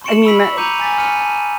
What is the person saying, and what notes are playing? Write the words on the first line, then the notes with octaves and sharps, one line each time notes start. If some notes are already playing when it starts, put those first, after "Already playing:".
I mean, I
C6 C#6 C#7 D7 E7 F#7
B5 E6 B6 F#7
A#5 D6 G6 C#7 D#7 F7
G#5 D6 A6 B6
G#5 C6 F6 C#7 D#7
A5